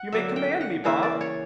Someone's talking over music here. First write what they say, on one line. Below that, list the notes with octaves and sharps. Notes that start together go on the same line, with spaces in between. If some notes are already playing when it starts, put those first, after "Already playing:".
You may command me, Bob.'
Already playing: F#5
D3 F#3 A#3 E5
G5
F#5
C#3 E3 A#3 E5
D5
C#5